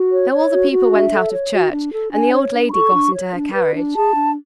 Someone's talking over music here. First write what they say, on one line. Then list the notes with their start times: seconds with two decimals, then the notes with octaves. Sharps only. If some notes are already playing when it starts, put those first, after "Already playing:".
Now all the people went out of church, and the old lady got into her carriage.
Already playing: F#4
0.11 C#5
0.31 C#5
0.52 F#4
0.71 F#4
0.91 D4 E5
1.12 A4
1.32 C#5
1.52 F#4
1.73 D4
1.93 A4
2.13 D4 G#5
2.33 C#5
2.54 D4
2.68 B5
2.74 A4 C#6
2.94 D4
3.14 C#5
3.34 D4
3.54 B4
3.75 D4
3.94 G#4 A5
4.15 D4